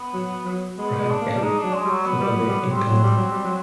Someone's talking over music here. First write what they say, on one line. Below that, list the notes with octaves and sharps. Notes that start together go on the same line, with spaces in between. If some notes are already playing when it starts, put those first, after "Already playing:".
Frank L. Fullaway in command.
Already playing: B3
F#3
F#3
G#3 B3
G#3
D4
A#3
G3
G#3 D#4
D4
F#3
G#3
G3
F#3
F#3 B3
G3
F#3
G3
F#3
G3 C4
F#3
G3
F#3
G3
F#3